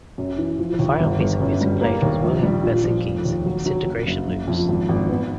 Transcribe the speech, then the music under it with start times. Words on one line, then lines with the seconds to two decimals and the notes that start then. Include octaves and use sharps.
The final piece of music played was William Basinski's "Disintegration Loops".
0.18 F#2
0.38 E3
0.59 F3
0.79 D#2
1.00 G1
1.20 G1
1.40 F#2
1.61 G3
1.81 A#3
2.02 D#2
2.22 A#1
2.43 G3
2.63 A#2
2.84 F3
3.05 F1
3.25 D#2
3.45 F#3
3.66 F#3
3.86 F#1
4.07 F#1
4.27 F#1
4.48 F2
4.68 G#1
4.89 G#1
5.09 B3